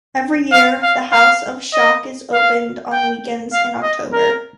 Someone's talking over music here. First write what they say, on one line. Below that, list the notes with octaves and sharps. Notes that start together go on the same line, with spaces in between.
Every year, the House Of Shock is opened on weekends in October.
F5
F5
F5
D#5
F5
G5
F5
D#5
A#4